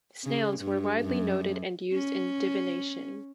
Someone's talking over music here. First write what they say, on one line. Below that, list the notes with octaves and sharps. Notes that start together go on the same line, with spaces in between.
Snails were widely noted and used in divination.
C#3
G2
F#2
C#4